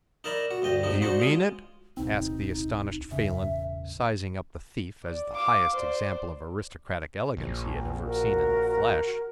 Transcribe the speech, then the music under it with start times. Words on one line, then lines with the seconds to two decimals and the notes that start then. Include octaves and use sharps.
"Do you mean it?" asked the astonished Phelan, sizing up the thief as the highest example of aristocratic elegance he had ever seen in the flesh.
0.24 D#4 A#4 D5 E5 A#5 B5
0.51 F#4
0.62 D2 G2 D#5 G5
0.83 F2 G#2 F3 D#4
1.02 D4 D#4 F#4 C5
1.20 G#3 F4 G#4
1.97 D1 B1 C4 D#4
3.11 E1 A1 C#3 E5
5.04 D5
5.33 F5 D6
5.74 C5 D5
7.37 A#1
8.06 F#4 A#4